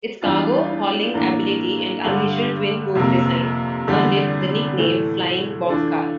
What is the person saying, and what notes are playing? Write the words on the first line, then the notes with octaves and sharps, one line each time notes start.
Its cargo-hauling ability and unusual twin-boom design earned it the nickname "Flying Boxcar".
E2 E3 G3 D4 F4
A2 E3 A#3 D4
G2 D3 G3
F2 C3 F3 A#3
E2 D3 G3
A2 E3 A3
E3 A3 D4 F4